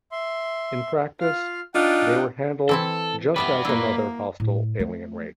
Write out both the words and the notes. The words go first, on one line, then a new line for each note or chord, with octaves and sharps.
In practice, they were handled just as another hostile alien race.
E5 C6
F4 F5 F6
D4 D#4 F4 F#5 G5
E3 C4 E4 A4
G3 B3 B4 D5 E5
A#3 E4 F#4
A2
F3 A3